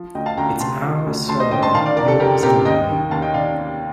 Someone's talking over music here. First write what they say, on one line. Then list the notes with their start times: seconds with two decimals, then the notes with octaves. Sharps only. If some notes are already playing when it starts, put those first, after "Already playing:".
It’s our sorrow — yours and mine.
Already playing: F3
0.15 D2 D#5 G5
0.26 F5 A5
0.37 D2 G5 A#5
0.60 C3 A5 C6
0.83 F3
1.06 D2
1.29 D2 A5 C6
1.39 C5 D#5
1.51 D3 D#5 G5
1.63 A5 C6
1.74 D#3 F5 A5
1.86 D5 F5
1.96 F2 A#4 D5
2.08 A4
2.20 F2 G4 A#4
2.43 C3 G4 A#4
2.65 D#2 D#5 G5
2.89 D#3
3.11 D#2 F5 A5
3.22 D#5 G5
3.34 D#3 D5 F5